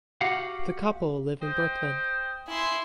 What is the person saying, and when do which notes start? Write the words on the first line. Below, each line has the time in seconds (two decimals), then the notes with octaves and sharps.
The couple live in Brooklyn.
0.21 F#4 G4 F5 F#5
1.42 C5 D#5 G5
2.48 A#3 E4 G#4 G#5 C6